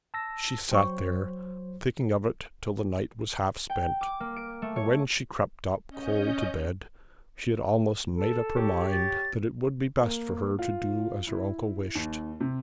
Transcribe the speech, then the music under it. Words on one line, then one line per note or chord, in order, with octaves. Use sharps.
She sat there, thinking of it till the night was half-spent, and when she crept up cold to bed, she had almost made up her mind that it would be best for her to do as her uncle wished.
A5 E6 A#6
F#3 C5 G5 C#6
G5
D6
A#3
D7
A3
C#5
C#4 D#5 G6
A4
G4 C#5
A6
A#3
F4
E4
D#2
C3